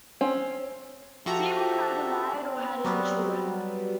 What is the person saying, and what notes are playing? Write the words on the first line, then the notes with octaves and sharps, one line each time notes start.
Seymour neither married or had any children.
C4 C#4
F3 F#4 G4 A4 E5 A#5
C4
F#3 G3 B3